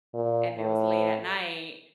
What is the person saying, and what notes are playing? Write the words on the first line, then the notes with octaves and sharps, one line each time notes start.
and it was late at night,
A#2
A2